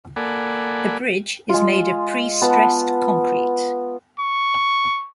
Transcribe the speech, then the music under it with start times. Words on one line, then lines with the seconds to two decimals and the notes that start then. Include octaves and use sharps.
The bridge is made of prestressed concrete.
0.16 A#3 A4 D5 F#5 G#5 B5
1.49 G#3 F4
2.42 B3 F4 F#5 A5
4.19 C#6